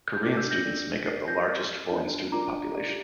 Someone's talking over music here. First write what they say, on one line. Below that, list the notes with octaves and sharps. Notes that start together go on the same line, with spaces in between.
Korean students make up the largest foreign student population.
G6
D4 F4 A4 D5 D6 F6
E6 G6
G6 A#6
D4 F4 A4 D5
G4 A#4 D5 A6 C7
G6 A#6
G4 A#4 D5 F6 A6
D4 F4 A#4 D5
D4 F4 A#4 D5 A#5 D6
G4 D5